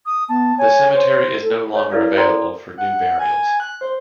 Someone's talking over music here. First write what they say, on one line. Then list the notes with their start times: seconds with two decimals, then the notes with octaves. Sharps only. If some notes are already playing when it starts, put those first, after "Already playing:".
The cemetery is no longer available for new burials.
0.06 D#6
0.29 B3 A5
0.58 C#5 G#5
0.94 C5
1.42 A4
1.76 C#5
1.91 E4 A4 B4 D5 F5
2.17 A#4 C5 D5 G5 A#5 C6
2.30 A4
2.77 F#5
3.19 G#5
3.60 F#6
3.81 C5